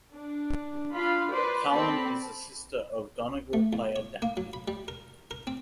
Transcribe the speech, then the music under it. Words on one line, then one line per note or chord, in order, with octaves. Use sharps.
Cullen is the sister of Donegal player Danny.
D4
D4 F4 F5 B5
B4 C5 D5
C4 A4 D5 A5 B5
A3
E2
C#5
A#3
F#3
B5
G3
A#4
A#4
C4